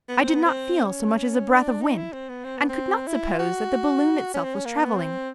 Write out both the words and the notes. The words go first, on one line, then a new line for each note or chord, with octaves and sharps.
I did not feel so much as a breath of wind, and could not suppose that the balloon itself was travelling.
B3
C4
B3
C4
C#4
D4
D#4
E4
C4
B3
C4
B3
C4
E4
F4
F#4
C#4
C4
C#4
A#3
B3
C4